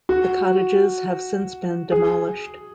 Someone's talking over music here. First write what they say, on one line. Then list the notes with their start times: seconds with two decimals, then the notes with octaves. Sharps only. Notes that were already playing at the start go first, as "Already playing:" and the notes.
The cottages have since been demolished.
0.09 F#4
1.92 G#4